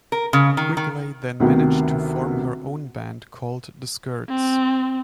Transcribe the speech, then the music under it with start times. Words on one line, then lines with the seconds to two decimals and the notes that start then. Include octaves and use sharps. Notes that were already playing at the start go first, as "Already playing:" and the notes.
Quigley then managed to form her own band called The Skirts.
0.12 A#4
0.33 C#3
0.57 D#3
0.77 D#3
1.40 D2 C3 D#3 B3
4.29 C4